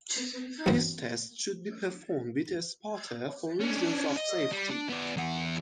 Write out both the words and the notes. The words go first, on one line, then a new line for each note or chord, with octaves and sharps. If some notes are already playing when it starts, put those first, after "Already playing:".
This test should be performed with a spotter for reasons of safety.
A1 G2 C4 F#4
C#4 D4
D#5
G3
D4
B3 D5
E2 F#5